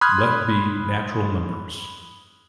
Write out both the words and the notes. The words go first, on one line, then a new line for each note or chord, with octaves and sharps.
Let be natural numbers.
B5 C6 D#6 F6 F#6 G#6